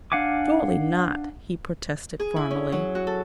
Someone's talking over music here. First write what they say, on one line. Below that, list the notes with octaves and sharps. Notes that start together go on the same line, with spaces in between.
'Surely not!' he protested formally.
D4 F5 F#5 G#5 D6
G#4
E4
C#4
F#3
F#4
A4